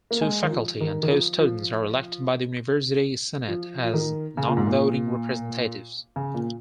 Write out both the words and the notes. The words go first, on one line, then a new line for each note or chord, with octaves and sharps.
Two faculty and two students are elected by the University Senate as nonvoting representatives.
A#3
G#3
D#3
F3
D#3
D#3
F3
F3
F3
F3
D#3
C#3
A#2
G#2
A#2
C#3
A#2